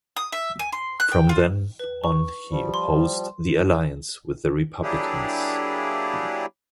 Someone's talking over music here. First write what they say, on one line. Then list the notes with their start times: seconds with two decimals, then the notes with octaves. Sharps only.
From then on he opposed the alliance with the Republicans.
0.17 D#6
0.32 E5
0.59 G#5
0.72 C6
1.00 F#6
1.12 G5
1.29 F4
1.79 B4
2.04 C#6
2.50 F3 G3
2.74 C6
4.83 F#3 A#3 D4 E4 G4 G#4